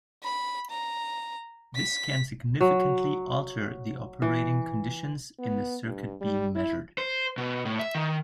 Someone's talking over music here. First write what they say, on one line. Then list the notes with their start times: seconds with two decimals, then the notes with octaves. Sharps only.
This can significantly alter the operating conditions in the circuit being measured.
0.23 B5
0.71 A#5
1.75 B6
2.61 F#3
4.22 E3
5.39 B3
5.84 G2
6.21 G3
6.55 E4
6.98 C5
7.38 B2
7.65 A2
7.79 E5
7.95 D#3